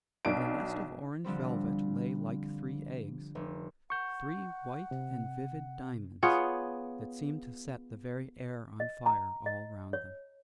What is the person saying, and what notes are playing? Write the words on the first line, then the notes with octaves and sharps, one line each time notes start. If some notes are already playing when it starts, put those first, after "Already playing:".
In a nest of orange velvet lay like three eggs, three white and vivid diamonds that seemed to set the very air on fire all round them.
B1 D4 D7
D3 F3 G3 C4
F1
F#5 C#6 G6
C3
B3 F4 G#4 C#5
D#5
A#5
D#5
C#5